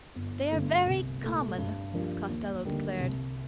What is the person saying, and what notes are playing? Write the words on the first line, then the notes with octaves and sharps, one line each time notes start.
"They are very common," Mrs. Costello declared.
G1
G2 D3 A3
C2
A#2 A3
G2
F3 A#3 D4 G4
D#2
D3 G3 A#3 D#4
C2